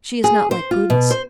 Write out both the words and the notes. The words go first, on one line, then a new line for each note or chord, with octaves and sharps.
"She is not like Prudence."
G#4
C5
F4
B2
C5